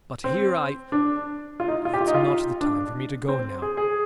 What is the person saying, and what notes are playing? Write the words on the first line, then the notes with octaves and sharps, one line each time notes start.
But here I ... it's not the time for me to go now....
C4
D4
F4
D#4
F4
G4
F4
D#4
F4
D4
C4
G#4
G#4